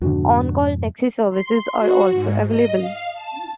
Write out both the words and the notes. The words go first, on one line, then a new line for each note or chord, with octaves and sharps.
On-Call taxi services are also available.
F2 G#2 B2 D3 D4 F#4
C6
F#4
G#2
D#5
F5
A5